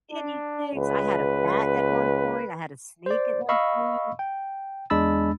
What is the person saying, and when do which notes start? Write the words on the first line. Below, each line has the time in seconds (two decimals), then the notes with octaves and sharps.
guinea pigs. I had a bat at one point, I had a snake at one point
0.11 D4
0.76 C#2 B4
3.06 C5 D5
3.49 D#5 F5 B5 C#6 E6
4.19 G5
4.90 E2 G#3 D4 B5 E6 A6